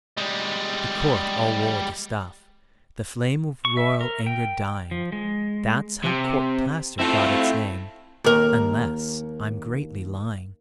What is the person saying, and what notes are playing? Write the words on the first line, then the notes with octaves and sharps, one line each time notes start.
The court all wore the stuff, the flame Of royal anger dying. That's how court-plaster got its name Unless I'm greatly lying.
G3 G#3
C#6
E5
A#4
G5
F3
G#3
C3
A3 C4 E4 F4
D#2 A#4